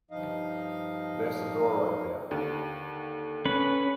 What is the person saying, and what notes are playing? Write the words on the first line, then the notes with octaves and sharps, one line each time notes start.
There's the door right there.
G2 F3 D#4 D#5 F5
D#2 D3
C#4 B4